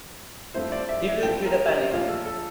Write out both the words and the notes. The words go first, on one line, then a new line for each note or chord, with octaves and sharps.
He will create a panic.
G2 F3 A3 C4 E4 C5
D5
E5
E5
G2 F3 A3 C4 E4 G5
A#4
G4
A#1 A#2 A3 D4 F4
A4
A4